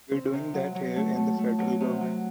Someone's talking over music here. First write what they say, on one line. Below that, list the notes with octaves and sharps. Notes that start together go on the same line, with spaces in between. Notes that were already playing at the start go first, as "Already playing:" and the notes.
We’re doing that here in the federal government.
C4
C3
F#3
F#3
A3
A3
A3
F#3
C3
F#3